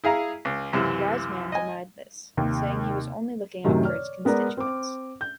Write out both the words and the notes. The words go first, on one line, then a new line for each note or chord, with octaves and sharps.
Wiseman denied this, saying he was only looking out for his constituents.
E4 G#4 F5 A#5
C#2
C#2 F#2 C3 E3
D#5 G#5
D#2 C3 A#3
F#2 A2 C3 D#3 F#3
C#5 D5 F6
G#3 B3 A#4 D5 A#5
C4 D6
G6